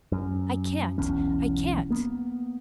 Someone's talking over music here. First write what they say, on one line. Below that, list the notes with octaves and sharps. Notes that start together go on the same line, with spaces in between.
"I can't--I can't!"
F#2
E1 B1 E2 C#4
A#3 B3